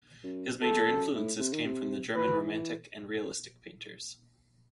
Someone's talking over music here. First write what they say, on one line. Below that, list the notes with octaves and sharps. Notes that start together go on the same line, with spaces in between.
His major influences came from the German Romantic and Realistic painters.
F#2
E2 A4
F#2
A2
C3
D#3
C3
E3 B4
F#3
E3